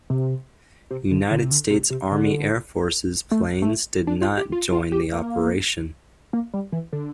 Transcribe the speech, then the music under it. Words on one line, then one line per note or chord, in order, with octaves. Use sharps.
United States Army Air Forces planes did not join the operation.
C3
C3
D3
D3
C3
D3
C3
C3
D3
A3
A3
D4
F4
G4
F4
F4
G4
A#3
A#3
G3
E3
D3